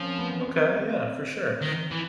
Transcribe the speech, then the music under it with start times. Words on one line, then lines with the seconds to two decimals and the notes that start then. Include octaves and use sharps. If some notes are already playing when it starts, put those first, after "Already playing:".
Okay, yeah, for sure.
Already playing: F3 A#3 C4 C#4
0.19 B3
0.46 C4
0.75 C4
1.62 D#3
1.91 E3